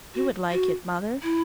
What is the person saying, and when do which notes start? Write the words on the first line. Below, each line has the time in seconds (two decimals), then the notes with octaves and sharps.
You would like it, mother?'
0.15 F#4
0.51 F#4
1.23 E4